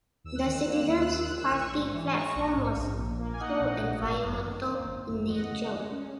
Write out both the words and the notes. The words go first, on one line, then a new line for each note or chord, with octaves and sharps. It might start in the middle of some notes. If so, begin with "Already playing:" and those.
The Citizens Party platform was pro-environmental in nature.
D#2 E6
F#6
D#3 E6
F#6
A#3 E6
F#6
D#2 E6
F#6
D#2 E6
F#6
D#3 E6
F#6
A#1 C#6 E6
G#2
E3
G#3 A#5 C#6
A#1
G#2
A#1
A#2
A#3
G#5
D#4 D#5 F#5
A#1
A#2
G#1
F#2
D#3
A#3
G#1
F#2
E2 D#5 F#5
C#3
G#3
C#4